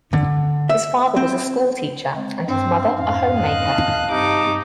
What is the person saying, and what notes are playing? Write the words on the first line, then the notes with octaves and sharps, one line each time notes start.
His father was a school teacher and his mother a homemaker.
D3
E5
C4
G#3 C4
G2 C4
F2 G#2 C#4 F5
D#5 F#6
A5
G2 C3 D#4 D6